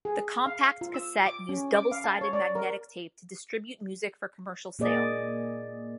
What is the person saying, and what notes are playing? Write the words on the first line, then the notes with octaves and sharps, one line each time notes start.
The compact cassette used double-sided magnetic tape to distribute music for commercial sale.
G#4
F5
F4
E6
D6
C#4
D6
F5
A5
C#5
D5
A#4
A#2 A#3 G#4 D5 D#5